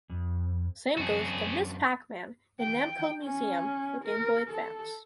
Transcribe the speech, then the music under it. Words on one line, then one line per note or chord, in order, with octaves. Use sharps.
Same goes to "Ms. Pac-Man" in "Namco Museum" for Game Boy Advance.
F2
F#2 C4 F#4 G#4
G5
C#4
A#4
A4